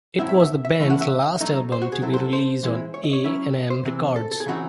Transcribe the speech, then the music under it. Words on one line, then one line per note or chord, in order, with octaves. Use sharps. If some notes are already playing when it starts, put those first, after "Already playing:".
It was the band's last album to be released on A and M Records.
A2 F#3 C4 E4 E5
E5
E5
E5
E3 A3 C#4 E4 E5
F#5
E5
F#3 A3 D#4 D#5
C5
F#4
G#4
F#3 C4 E4 A4
C5
A4
C5
E3 G#3 C4 E4
C#5
D#5
C#5
F#3 C#4 E4 E5
C5
C3 E3 C4
A4
A4
G#4
C#3 E3 C4 D#4 F#4